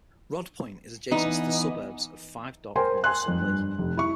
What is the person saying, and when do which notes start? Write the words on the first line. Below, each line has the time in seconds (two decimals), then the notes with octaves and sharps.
Rodd Point is adjacent to the suburbs of Five Dock and Russell Lea.
1.12 E3 B3 D#4
2.76 A#4 C5 G5 G#5 C6
3.04 G#5 C6 F#6
3.28 F2
3.41 G2
3.79 F1
3.97 E4 C#6